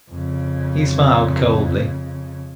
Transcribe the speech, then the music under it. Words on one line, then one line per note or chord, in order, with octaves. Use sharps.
He smiled coldly.
F2 C#3